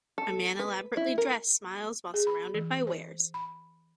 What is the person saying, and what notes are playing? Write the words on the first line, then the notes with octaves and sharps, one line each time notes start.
A man, elaborately dressed, smiles while surrounded by wares.
A4
B4
E4
A#4
G#4
B5
E3
C5
B5